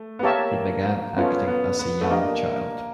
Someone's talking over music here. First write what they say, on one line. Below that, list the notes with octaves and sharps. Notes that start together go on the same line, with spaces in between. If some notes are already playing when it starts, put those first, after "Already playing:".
He began acting as a young child.
Already playing: A3
B3
A#3 G4 A#4 C#5 E5 A5
B3 C#4 F4 A4 C#5
B3
B3
A3
A#3 D4 G4 A#4 D#5